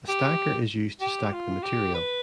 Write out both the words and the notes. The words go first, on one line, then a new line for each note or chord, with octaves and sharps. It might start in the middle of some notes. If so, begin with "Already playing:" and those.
A stacker is used to stack the material.
G4
G4
F4
G4
B4